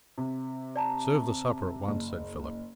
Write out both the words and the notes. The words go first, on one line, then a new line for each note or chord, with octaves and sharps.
"Serve the supper at once," said Philip.
C3
D5 A5 A#5
F#1